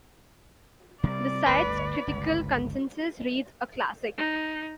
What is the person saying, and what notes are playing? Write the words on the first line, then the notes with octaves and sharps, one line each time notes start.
The site's critical consensus reads, A classic.
C3 G3 C4 D5
G1 D2 A2 B4
G1 C#2
D#4